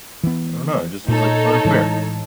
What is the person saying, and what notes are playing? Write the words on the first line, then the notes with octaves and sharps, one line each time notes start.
I don't know, it just was, like, unfair.
E3 B3
A#2 D#4 A4 C#5
A2 E3 G#3